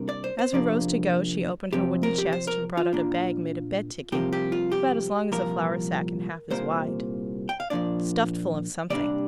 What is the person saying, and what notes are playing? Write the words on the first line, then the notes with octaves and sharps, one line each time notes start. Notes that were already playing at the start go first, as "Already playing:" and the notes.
As we rose to go, she opened her wooden chest and brought out a bag made of bed-ticking, about as long as a flour sack and half as wide, stuffed full of something.
Already playing: C2 C3 A#3 D4
D5
C5
C5
C3 F3 A#3 D4 D5
C3 F3 C4 G4
A#4
G4
C5
A#4
F4
A#2 A#3 D4
C2 C3 F3 A#3 G4
G4
F4
G4
C2 A#2 F3 A#4
C2 A#2 A#3 C5
G5
F5
A#2 F3 A#3 D4 D5
C3 G3 A#3 D4 D5